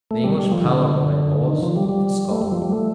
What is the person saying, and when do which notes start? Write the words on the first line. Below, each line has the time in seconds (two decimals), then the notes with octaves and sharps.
The English Parliament made laws for Scotland.
0.11 A3
0.24 G3
0.38 G3
0.52 F3
0.65 D3
1.48 D#3
1.62 F3
1.76 G3
1.89 G3
2.31 A3
2.42 G3
2.51 F3
2.62 G3
2.72 A3